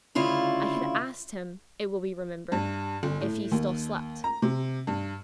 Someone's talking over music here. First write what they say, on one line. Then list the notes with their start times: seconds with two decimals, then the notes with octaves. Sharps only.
I had asked him, it will be remembered, if he still slept.
0.15 D2 C#3 E4 F4 F5
2.52 G2
3.03 G1
3.21 A2
3.52 D#2
4.24 A#5
4.42 C3
4.87 G2